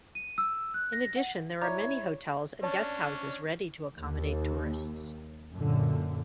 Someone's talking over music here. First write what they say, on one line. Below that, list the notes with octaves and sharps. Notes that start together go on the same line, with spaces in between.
In addition, there are many hotels and guest houses ready to accommodate tourists.
D#7
E6
F#6
A#6
F#5
E4 C#5 D5 A#5 D6 G#6
C#4 D4 C#5 D5 A5
D#2
F#2 A#2 D3